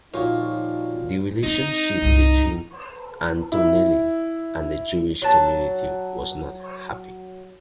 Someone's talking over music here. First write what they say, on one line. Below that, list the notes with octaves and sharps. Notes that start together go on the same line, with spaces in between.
The relationship between Antonelli and the Jewish community was not happy.
A#2 F3 G3 D#4 F4 F#4 C#5
C4 D#4
C2 G2
E4
F#3 A5